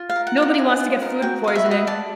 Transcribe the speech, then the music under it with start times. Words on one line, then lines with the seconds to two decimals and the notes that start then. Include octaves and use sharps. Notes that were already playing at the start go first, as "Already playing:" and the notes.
Nobody wants to get food poisoning.
Already playing: F4
0.09 F5
0.16 A#4
0.27 F#5
0.37 F4
0.42 F#5
0.58 D#5 G#5
0.80 F4
1.02 A#4
1.22 F#4 G5
1.44 B4 F5
1.55 E5
1.66 F#4
1.71 D#5
1.87 D5 A5